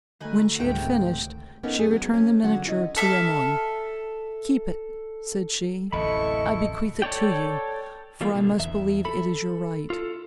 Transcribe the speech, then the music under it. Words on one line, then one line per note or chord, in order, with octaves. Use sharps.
When she had finished, she returned the miniature to Emily. 'Keep it,' said she, 'I bequeath it to you, for I must believe it is your right.
D2 A3 D#4 B4 G#5
G#1 C#2 C3 F#4 G5
A#3 B3 C#4 D#4 A4 A#4
F#2 G#4
F#3 B3
C#4
D3 F#3 F#4 F#5
C#4 E4 D#5
A4 E5 F6
D1 A1 F2 E4 A4 D#5 B5 C#6
A4 C#5 D5 G5
E3 G3 A3 A#3 F4
B2 D3
E2 E5
A4 B5
F4 A4